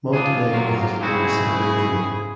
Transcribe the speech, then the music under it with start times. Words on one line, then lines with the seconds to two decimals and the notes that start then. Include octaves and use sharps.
Montenegro has an embassy in Madrid.
0.13 G#2 D4 F4 G#4
0.52 C3 F#3 A#3
1.01 B1 G#2 C#3 C4 E4 F#4 G#4